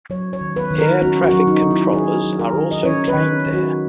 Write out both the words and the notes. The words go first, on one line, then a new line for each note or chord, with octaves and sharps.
Air traffic controllers are also trained there.
F#3 C#5
C#5
D#3
B4
D#3
A#4
C#4 F#4
F#4
F#3
D#4
F#3
E4
D#3 G#4
F#3
A#4
D#3
D#5
C#4 C#5
B4
D#3
D#3
F#4